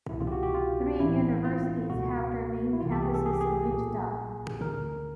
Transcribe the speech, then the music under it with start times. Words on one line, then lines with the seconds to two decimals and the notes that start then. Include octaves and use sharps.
Three universities have their main campuses in Wichita.
0.09 C2 E4
0.13 B2
0.21 F4
0.27 G4
0.32 F#4
0.43 G4
0.54 F4
0.99 A1 A2 E3 E4
1.45 F4
1.90 C#2 B2 F#4
2.73 E4
2.80 C2 C3 E3 F4
2.92 G4
3.03 G#4
3.14 A4
3.26 G#4
3.33 G4
3.41 G#4
3.71 A#1 A#2
4.61 D2 D3 A#4